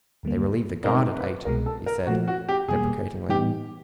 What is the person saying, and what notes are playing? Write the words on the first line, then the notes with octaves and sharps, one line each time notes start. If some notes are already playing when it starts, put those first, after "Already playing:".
"They relieve the guard at eight," he said deprecatingly.
D#2 D3 G3 A#3
B2 G#3 C4 D#4 A#4
B4
C2 B2 G#3 A#4
A4
A#4
A#2 F3 A3 F#4
F#4
G4
E2 B2 G3 A#3 G#4
A2 E3 G3 B3 D#4 G4